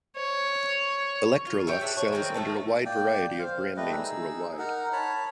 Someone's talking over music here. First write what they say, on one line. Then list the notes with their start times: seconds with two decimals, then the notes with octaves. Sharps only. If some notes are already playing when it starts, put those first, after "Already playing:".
Electrolux sells under a wide variety of brand names worldwide.
0.17 C#5
1.47 F4
1.67 G4 C#5 E5
1.80 D4 G#4 E5 G5
1.97 C#5
2.12 D#3 G#3 A#3 C4
2.34 D#3 A3 C#4 A5
2.86 A#3 D5 G5
3.39 C5 F5
3.77 G3 A3 B4 D#5
3.93 D#4 G#4 E6
4.59 D#4 A#4 F#5
4.93 C#5 A5 B5